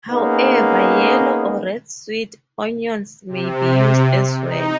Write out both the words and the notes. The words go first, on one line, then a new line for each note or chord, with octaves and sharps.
However, yellow or red sweet onions may be used as well.
A#3 B3 C#4 D#4 G#4
C3
D#4